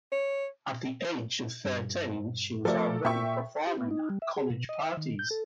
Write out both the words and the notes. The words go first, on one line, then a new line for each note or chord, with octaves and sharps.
At the age of thirteen, she was already performing at college parties.
C#5
G2
F3 A3 A4 A#4 D5
A#2 E5 G5 C#6
G4
B3
D#4
G3
E5
G#4
B2
D#5
E5
D#3
G6
A4